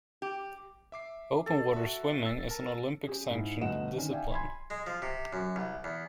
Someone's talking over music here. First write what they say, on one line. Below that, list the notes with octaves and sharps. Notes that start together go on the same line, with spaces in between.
Open water swimming is an Olympic-sanctioned discipline.
G4
E5 D6 C7
A4
F#4 E5
E6 A6
A#4 A5
C#4 G4 G#4
G#2 E4
G1 D2 D#5 F#5 E7
D3 D#3 C#4
D5 E5 F5 G5 G#5
G#5 B5 C6 G#6
G#3
F3
C3
F#2
C2
E2